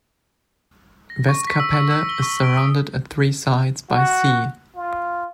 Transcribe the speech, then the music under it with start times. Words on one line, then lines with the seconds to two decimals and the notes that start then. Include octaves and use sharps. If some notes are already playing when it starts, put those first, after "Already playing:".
Westkapelle is surrounded at three sides by sea.
1.10 A#6
1.29 C#6
1.47 B6
1.60 E6
1.74 C#6
1.91 E6
2.09 G7
2.22 C#6
2.43 D7
2.57 D#6
3.90 F#4
4.75 F4